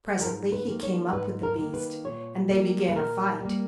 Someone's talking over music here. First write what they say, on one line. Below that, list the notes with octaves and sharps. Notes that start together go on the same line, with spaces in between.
Presently he came up with the beast, and they began a fight.
G#2 A#4
B4
D#3 A#3
C#5
G#2 B4
A#4
D#3 A#3
B4
A#2 C#5
G3 A#3
B4
A#2 A#4
G3 A#3